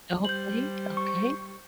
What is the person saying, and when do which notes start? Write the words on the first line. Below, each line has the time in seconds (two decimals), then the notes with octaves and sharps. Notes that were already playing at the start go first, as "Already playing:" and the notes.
Okay, okay.
0.25 G3 C5 G6 F#7
0.97 C#6